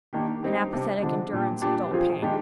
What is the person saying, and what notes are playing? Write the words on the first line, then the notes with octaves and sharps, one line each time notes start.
An apathetic endurance of dull pain.
D#3 A#3 D4 G4
G3 C4 D#4 G4
C3 G3 D4
D3 F3 G#3 D4
A#2 G3 D4 G4
A#2 G3 D4 G4
F3 C4 F4 G#4
D#3 G#3 D4 G4